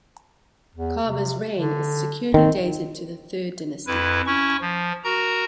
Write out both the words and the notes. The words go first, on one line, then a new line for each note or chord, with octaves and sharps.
Khaba's reign is securely dated to the Third Dynasty.
E2
C3
D3
D#3 C4
F2 E4 B4
C#4 E4 C#6
F3
F#4 A#4 A#5